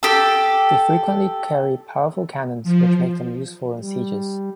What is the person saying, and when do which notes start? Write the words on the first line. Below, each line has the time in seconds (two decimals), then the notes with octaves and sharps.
They frequently carry powerful cannons which make them useful in sieges.
0.03 G4 A4
2.64 F3
3.79 G3